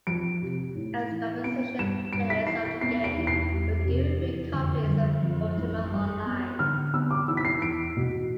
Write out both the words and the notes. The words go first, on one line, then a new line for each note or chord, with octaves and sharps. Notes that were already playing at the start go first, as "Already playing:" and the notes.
As compensation, players of the game were given free copies of Ultima Online.
F2 D7
C3
A2
E3
B3 D7
G2 E7
G2 D7
B6
E3 C7
D7
B3 C7
D7
E3
C7
G3
C3
E2
D3
G1
F2
A1
G2
B3
D3 F6
B3 E6
D6
E3 E6
B6
C7
E2 D7
B2